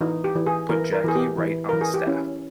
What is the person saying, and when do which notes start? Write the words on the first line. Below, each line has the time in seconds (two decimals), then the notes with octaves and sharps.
Put Jackie right on the staff.
0.01 E3 D#4
0.24 G4
0.36 E3
0.46 G#4
0.69 E3 A#4
0.93 A#4
1.04 E3 G#4
1.15 G4
1.38 E3
1.69 E3 A#4
1.81 G#4
1.94 G4
2.07 C#4 E4